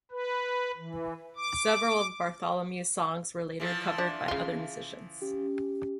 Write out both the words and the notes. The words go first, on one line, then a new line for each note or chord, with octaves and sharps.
Several of Bartholomew's songs were later covered by other musicians.
B4
E3
D6
E3 F3 E6
D4 E5
C#3 F4
C#4 G4